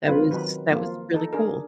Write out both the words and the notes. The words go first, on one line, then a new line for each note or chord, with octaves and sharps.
that was that was really cool.
C4 F4 B4
D#3 F#3 B4
F3 A#3 F4
D#4 A4
D4 G#4 A#4